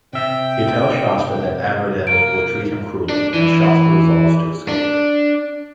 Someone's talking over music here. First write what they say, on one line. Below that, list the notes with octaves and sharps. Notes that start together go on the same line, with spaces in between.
He tells Shasta that Anradin will treat him cruelly, and Shasta resolves to escape.
C3 E5 G5
A#3 D7
D4
E3
D4